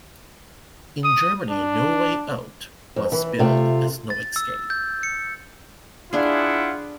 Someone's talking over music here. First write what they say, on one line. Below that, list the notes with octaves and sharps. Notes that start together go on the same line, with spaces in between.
In Germany, No Way Out was billed as "No Escape".
D#6
D4
F2
E3
C3 A3 F4
A6
E6
G6
C#7
D4 E4 F4 G#4 F#5